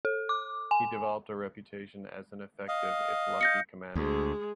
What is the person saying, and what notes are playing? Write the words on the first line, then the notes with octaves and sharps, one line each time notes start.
He developed a reputation as an effective if lucky commander.
A4
D6
G#5
D#5 F5
G6 A#6 C#7
D2 G#3 G#4